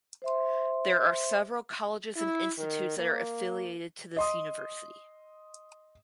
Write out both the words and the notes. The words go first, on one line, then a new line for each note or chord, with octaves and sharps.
There are several colleges and institutes that are affiliated to this university.
C5 E5 C6
E4
D#3
A#3
D#5 C6 D#6